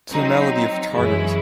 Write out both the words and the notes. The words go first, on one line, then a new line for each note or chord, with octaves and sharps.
To the melody of Chartres.
F#3 C4 D#4
F#2 E3 G#3 C#4 E4